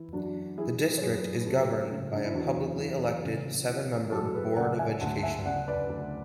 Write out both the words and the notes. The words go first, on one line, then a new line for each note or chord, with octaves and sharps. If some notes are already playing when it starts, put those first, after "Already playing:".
The District is governed by a publicly elected seven-member Board of Education.
Already playing: E3 E4
F#2 D4 F#4
E3 E4 G#4
C#5
F#2 G#4 B4
B4
C#3 F#4 A4
C#3
D4
E4
E2 D4 F#4
E3
C#3
E3
F#2 F#4 A4
G#4 B4
C#3 D5 F#5
E5 G#5
D2 F#5 A5
A5
E5 G#5
C#3 D5 F#5
B4 D5
D2